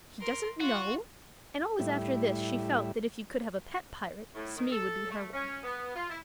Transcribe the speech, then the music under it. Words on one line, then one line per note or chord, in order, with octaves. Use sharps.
"He doesn't know!" and always after this she felt that if you could have a pet pirate Smee would be her one.
A#4 C6
F4 F#4
A2 G3 E4
A2
D#3
A4
A3
C#4
B3
F4
E4